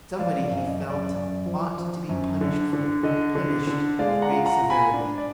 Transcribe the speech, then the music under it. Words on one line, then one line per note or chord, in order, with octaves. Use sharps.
Somebody, he felt, ought to be punished for it--punished with great severity.
F3 D5 F5
D5 F5
F#2
D#5
F#2
D5
F#2 D5
F3
F3
F#2
D3
D3
D3 D#5
D3
D3
G#3 D5 F5
F#5 A#5
F4
F#5 A#5
F4
G#5 B5
D4
D5